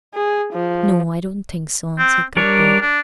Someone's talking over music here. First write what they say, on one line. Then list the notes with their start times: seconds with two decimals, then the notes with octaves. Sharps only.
"No, I don't think so," said Cuthbert.
0.14 G#4
0.53 F3
1.98 C4
2.37 G3 D4 A#4 C#5
2.81 D4